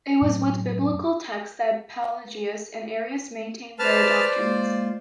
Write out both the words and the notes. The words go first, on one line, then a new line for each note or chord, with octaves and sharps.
It was with biblical texts that Pelagius and Arius maintained their doctrines.
F#2 A2 F#3 A3
B4 C5 D5 A5 F6
G#3 A#3 F4